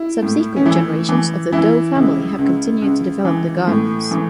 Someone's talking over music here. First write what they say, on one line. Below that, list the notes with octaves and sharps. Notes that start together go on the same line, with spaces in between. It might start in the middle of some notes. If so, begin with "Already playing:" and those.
Subsequent generations of the Dow family have continued to develop the gardens.
Already playing: E4
A2
C#4
E3 E4
E3
E3 E4
C#2
C#2
C#2
E3
A2
E3